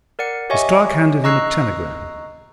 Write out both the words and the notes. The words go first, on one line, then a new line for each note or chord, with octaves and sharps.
His clerk handed him a telegram.
A#4 D5 F#5 C#7
G4 C#5 D#5 E5 G#5 C#6
D#5 A#5 C#6 E6 F#6 C7